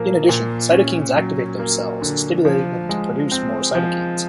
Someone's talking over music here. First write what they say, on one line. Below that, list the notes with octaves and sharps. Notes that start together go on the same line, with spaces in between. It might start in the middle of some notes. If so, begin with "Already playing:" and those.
In addition, cytokines activate those cells, stimulating them to produce more cytokines.
Already playing: A#2 F3 A#3
A#2
C#4
F#3
A#3
D3
F3
G#3
C4
F3